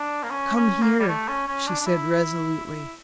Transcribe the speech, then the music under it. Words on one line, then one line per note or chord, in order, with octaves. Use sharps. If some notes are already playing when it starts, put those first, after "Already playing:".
"Come here," she said resolutely.
Already playing: D4
A#3
C#4
C#4
A#3
G3
A3
C#4
C#4
D4
D4
E4
E4